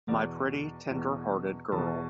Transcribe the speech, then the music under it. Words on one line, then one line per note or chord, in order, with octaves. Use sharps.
My pretty, tender-hearted girl!
E2 B2 D5
E2 B2
E2 A5
B2